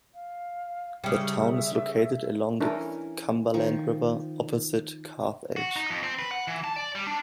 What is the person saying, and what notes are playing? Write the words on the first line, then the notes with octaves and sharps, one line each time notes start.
The town is located along the Cumberland River opposite Carthage.
F5
C#3 G3 E5
E3 C#4 D4 E4 A#4
D#3 F3 C#6
F#4
D#4
F2
C4
B4
F#5
E3
A5
D5
G3
D4